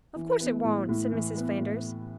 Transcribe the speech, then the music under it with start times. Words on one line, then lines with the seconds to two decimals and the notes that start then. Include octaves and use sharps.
"Of course it won't," said Mrs. Flanders.
0.16 E3
0.40 B3
0.64 A2
0.89 A2
1.12 E3
1.37 B3
1.60 A2